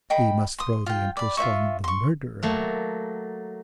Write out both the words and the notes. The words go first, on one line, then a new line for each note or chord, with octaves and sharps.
He must throw the interest on the murderer.
D#5 G5 B5
C6 D#6
F4 G5
D5 B5
F4 C5 E5 C#6
C6 C#6
F#3 A3 A#3